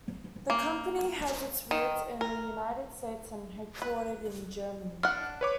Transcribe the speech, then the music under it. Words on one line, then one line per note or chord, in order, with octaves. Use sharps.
The company has its roots in the United States and is headquartered in Germany.
A#3
D#3
A#4
B4
D4 F#5 F6
B4 C#5 D6